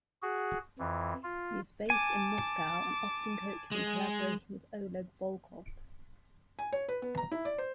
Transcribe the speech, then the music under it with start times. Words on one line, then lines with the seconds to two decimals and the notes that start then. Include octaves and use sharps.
He is based in Moscow and often coaches in collaboration with Oleg Volkov.
0.22 F#4 G#4
0.79 F2 E3
1.24 F4
1.90 G#5 A5 D6
3.72 G#3
6.59 G#5
6.73 C#5
6.89 B4
7.02 B3
7.18 A#5
7.31 E4
7.45 D5
7.58 C5